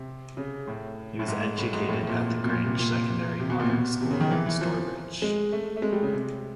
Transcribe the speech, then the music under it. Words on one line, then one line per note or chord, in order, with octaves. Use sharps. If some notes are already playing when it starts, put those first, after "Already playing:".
He was educated at the Grange Secondary Modern School in Stourbridge.
Already playing: C3
C#3
A2
A2
G#2
A2
G#2
A2
A2
A#2
B2
A#2
C3
A#2
C3
B2
A#2
B2
C3
C#3
D#3
E3
E3
F3
G#3
A3
A3
G#3
G3
C#3
C3